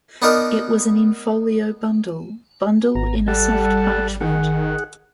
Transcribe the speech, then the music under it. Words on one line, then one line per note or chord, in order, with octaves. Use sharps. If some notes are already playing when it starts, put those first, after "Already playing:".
It was an in-folio bundle, bundle in a soft parchment.
B3 D4 D#4 A#4
G#1 B3 A#5
G3 A4 F#5 A5
D#3 G#4 F#5